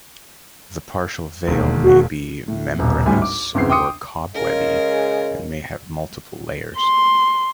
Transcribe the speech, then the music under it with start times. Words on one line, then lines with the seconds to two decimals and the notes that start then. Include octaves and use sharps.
The partial veil may be membranous or cobwebby, and may have multiple layers.
1.47 E1 D#2
1.84 F#4
2.48 A2
2.79 D#1 B1
3.06 G#1 D2 A2 G3 E4 G#5
3.22 D6
3.54 G1 E2 C#3 C4 C7
3.70 G5 C6 D6 D#6 C#7
4.35 C#3 G#3 A#4
6.77 C6